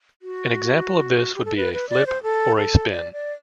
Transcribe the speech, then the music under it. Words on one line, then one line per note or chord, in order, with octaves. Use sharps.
An example of this would be a flip, or a spin.
F#4
G4
A4
B4
B4
D5
C5
A4
A4
D5
D5